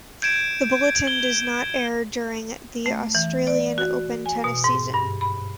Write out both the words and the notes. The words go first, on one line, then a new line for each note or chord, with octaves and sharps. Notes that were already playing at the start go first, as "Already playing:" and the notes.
The bulletin does not air during the Australian Open tennis season.
G6 G#6 D7 E7
G#6 G7
A3
E3
D5
F#4
G#5
B2
G#2
G2
B5